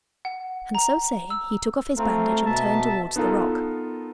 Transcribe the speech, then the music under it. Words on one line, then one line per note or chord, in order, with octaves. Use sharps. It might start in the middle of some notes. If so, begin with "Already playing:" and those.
And so saying he took off his bandage and turned towards the rock.
F#5
A#5
E6
A3 C4 F4 A#5
B2 E5 A5
B3 D#4 F4 A4 A#4